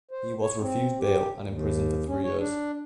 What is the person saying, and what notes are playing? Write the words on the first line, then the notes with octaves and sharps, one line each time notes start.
He was refused bail, and imprisoned for three years.
C5
C#5
C4
G4
D#2
C#4
C#5
D4